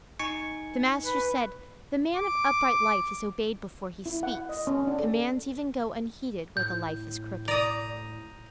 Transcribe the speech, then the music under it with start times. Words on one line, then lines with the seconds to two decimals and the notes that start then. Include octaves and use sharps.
The Master said, The man of upright life is obeyed before he speaks; commands even go unheeded when the life is crooked.
0.19 D#4 G#5 C#6
1.05 B4
2.15 D6
4.06 E4
4.23 F#5
4.49 D#5
4.67 C#4
4.87 D4
4.99 A4
6.57 A2 G6
7.48 D5 A#5 D#6